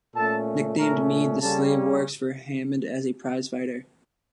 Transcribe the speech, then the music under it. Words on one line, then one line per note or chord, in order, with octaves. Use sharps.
Nicknamed "Mede", the slave works for Hammond as a prize-fighter.
A#2 A3 C#4 A4 A5
A#2 A3 C#4 A#4 A#5
C#3 G3 A#3 C#4 A4 A5